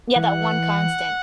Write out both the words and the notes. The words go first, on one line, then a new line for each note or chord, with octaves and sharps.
Yeah, that one constant.
E3 F#5